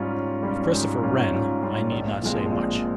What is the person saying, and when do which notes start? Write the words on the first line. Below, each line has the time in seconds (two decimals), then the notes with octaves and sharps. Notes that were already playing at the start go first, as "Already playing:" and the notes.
Of Christopher Wren I need not say much.
Already playing: G#2 G3 C#4 F4
0.14 G#2
0.43 G3 C#4 F4
0.73 G#2
1.03 G3 C#4 F4
1.33 G#2
1.62 G3 C#4 F4
1.92 A#1
2.22 A#2 F3 G#3 C4
2.52 A#1